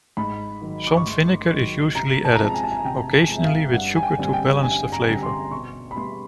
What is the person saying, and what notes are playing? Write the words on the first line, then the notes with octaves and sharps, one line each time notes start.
Some vinegar is usually added, occasionally with sugar to balance the flavor.
G#2 B5
D#3 F#3
D6
C#6
G#2 C6
D#3 F#3
C3 A#5
A5
A#5
F3 G#3 C4 A5
G#5
A5
G#5
C3 G5
F3 G#3 C4
E5
F5
G2 F#5
G#5
G5
D3 G3 C4 G#5
G5
G2 G#5
A#5
D3 G3 C4
C6
B2 C#6
B5
G3 B3 C6